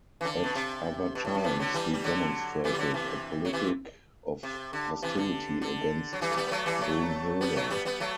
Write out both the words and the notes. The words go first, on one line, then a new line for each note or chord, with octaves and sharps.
At other times, he demonstrated a politic of hostility against Brunhilda.
E3
D3
B2
C3
B2
A2
F#2
C3 E3
D3 F#3
E3 G3
G3
D3 F#3
C3 E3
G3
D3 F#3
C3 E3
F#3
C3 E3
C3
D3
C3 E3
D3
D3
F#3
E3 G3
A3
G3 B3
B3
F#3 A3
E3 G3
F#3 A3
G3 B3
F#3 A3
G3 B3
G3 B3
F#3 A3